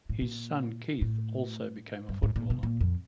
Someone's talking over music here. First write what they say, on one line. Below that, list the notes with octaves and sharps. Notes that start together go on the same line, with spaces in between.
His son Keith also became a footballer.
A2
A#2
A2
G2
G#2
A#2
B2
A#2
F2